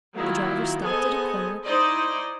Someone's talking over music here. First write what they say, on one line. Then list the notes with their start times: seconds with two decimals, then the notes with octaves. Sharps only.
The driver stopped at a corner.
0.16 D#3 F#3 A#3 E4 F4
0.84 B3 G#4 A4 C5 D#5 G#5
1.65 D#4 E4 C5 D5 D#5